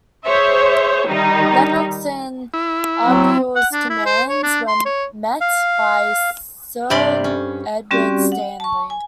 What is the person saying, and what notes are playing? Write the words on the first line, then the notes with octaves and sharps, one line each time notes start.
Lennox and Argyll's commands were met by Sir Edward Stanley.
G#4 C5 C#5 E5
D#3 G3 D#4
E4
F#3 C4
F#5
D4
E4
C5
C#5
D4
C6
C#5
F5
G2 C3 D5 B5 C6
C#4
G3 C4 C#4 F#4 G4 D5
F#5
A5 C#6
G#5